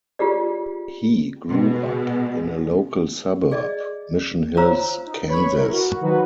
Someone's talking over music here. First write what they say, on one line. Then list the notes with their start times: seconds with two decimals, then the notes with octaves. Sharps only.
He grew up in a local suburb, Mission Hills, Kansas.
0.19 F4 G4 G#4 D5
1.49 B2 G#3
3.51 G#4 D5 D#5
4.57 F4 C5 C#5 F5 A#5 E6
5.07 D#4
5.28 B4 C#5 B5 C#6
5.57 E4 A#4
5.72 F#4
6.01 D#3 F3 F#3 D#4 F#4 B4